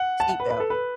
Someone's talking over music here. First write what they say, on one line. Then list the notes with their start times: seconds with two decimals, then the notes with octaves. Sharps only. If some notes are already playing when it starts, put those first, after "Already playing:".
Seat belt.
Already playing: F#5
0.20 A5
0.29 F#5
0.40 B4
0.50 B4
0.60 A4
0.70 B4